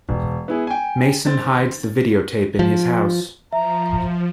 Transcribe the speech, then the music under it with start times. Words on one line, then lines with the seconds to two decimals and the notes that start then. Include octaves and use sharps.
Mason hides the videotape in his house.
0.09 E1
0.48 B3 E4 G#4
0.67 G5 G#5
1.26 D#3 C4 A6
2.59 F3
3.53 F3 E5 A#5